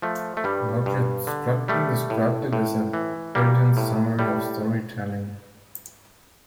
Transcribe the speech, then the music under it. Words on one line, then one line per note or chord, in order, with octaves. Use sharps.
Roger Scruton described it as a "brilliant summary of story-telling".
F3 A3
A3
G2 G3
G2
D3
G3 A3
A2
A2
E3
G3 A#3
A2
A2 G3